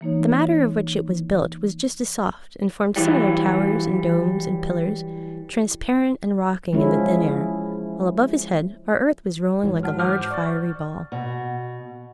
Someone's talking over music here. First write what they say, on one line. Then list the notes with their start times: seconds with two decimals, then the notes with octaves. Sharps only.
The matter of which it was built was just as soft, and formed similar towers, and domes, and pillars, transparent and rocking in the thin air; while above his head our earth was rolling like a large fiery ball.
0.01 E3 A#3 D#4 C#5
2.96 E3 F#3 G3
6.73 F3 G#3 C#4 E4
9.63 G#2 E3 F#3
9.83 F#5 A5 F6
10.00 C5 D6 F6 G6
10.31 D5 C#6 A6
11.12 B2